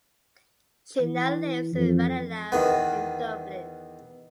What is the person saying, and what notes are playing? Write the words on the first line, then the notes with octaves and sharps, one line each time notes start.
She now lives in Ranelagh in Dublin.
E3
F2
E2 D#3 B3